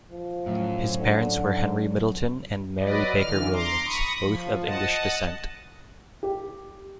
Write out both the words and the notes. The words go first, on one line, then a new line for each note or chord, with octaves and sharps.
His parents were Henry Middleton and Mary Baker Williams, both of English descent.
F3
F#2 A2
D3
F#3 B4 D5 D#5
D3 E3 F6
A#5 C6 D6
B5 C#6 D#6
F3
D#5 F#5 A5
G4